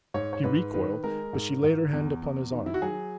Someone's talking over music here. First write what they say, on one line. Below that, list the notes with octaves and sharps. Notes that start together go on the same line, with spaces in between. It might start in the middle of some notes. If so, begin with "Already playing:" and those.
He recoiled, but she laid her hand upon his arm.
G#2 C#5
C#5
G#2 B4
D#3 B4
G#3 A#4
G#2
G#2
E2
E2
D#3
E4
F#4
F#3 G#4